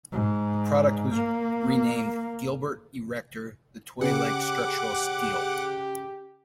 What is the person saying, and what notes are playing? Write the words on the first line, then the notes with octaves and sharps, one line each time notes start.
The product was renamed "Gilbert Erector, The Toy Like Structural Steel".
G#2
A#3
C#3 G4 F#5 D6